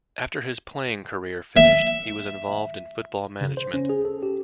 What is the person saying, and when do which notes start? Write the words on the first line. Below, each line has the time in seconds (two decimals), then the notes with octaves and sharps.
After his playing career finished, he was involved in football management.
1.56 E5
3.41 C#3
3.57 C5
3.74 C#4
3.89 G#4
4.05 A4
4.23 G4